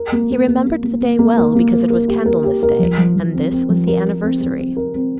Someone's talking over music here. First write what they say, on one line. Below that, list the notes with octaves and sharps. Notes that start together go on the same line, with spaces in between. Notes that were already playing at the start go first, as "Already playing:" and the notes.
He remembered the day well because it was Candlemas day, and this was the anniversary.
Already playing: A#4
A#3
A#3
A#3
A#3
A#3
A#3
A#3
A#4
A#3
A#4
A#4
G4
A#4
G4
A#4
F3
F3
F3
C4
C4
F3
A#4
A#4
C4
C4
C4
A#4
C4